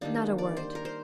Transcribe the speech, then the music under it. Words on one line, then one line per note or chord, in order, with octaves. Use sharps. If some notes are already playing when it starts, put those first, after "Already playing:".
"Not a word."
D#3 G3 A#3 D4
D5
C5
A#4
C5